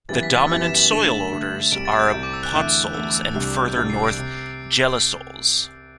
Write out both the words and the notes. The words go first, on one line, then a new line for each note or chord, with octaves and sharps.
The dominant soil orders are podsols and further north gelisols.
F#2 E3 G3 B3 E4 A6
B6
A6
F#2 E3 G3 B3 E4 A6
E7
F#7
G2 D3 A3 E7
G2 D3 A3
C2 C3 G3 D7
A6
G6
C2 C3 G3
D6
E6
F#6
E2 D3 A3 E4 G6
F#6
E2 D3 A3 E4 E6
E6
C2 C3 G3 D4 F#6
G6
C2 C3 G3 D4 A6
C7
D7
C3